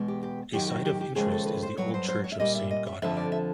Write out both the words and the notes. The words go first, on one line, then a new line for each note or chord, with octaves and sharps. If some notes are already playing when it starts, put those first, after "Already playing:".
A site of interest is the old church of Saint Gotthard.
Already playing: E2 B2 G#3
G4
G4
F#2 D#3 F#3 G4
F#4
G4
G4
D#2 C#3 F3 G#3 G#4
A4
B4
C5
G2 D#3 F#3 C#5
C5
C5
C#5
E5
A#2 G3 D#5
E5
D#5
E5
F2 D3 F3 E5
D5
E5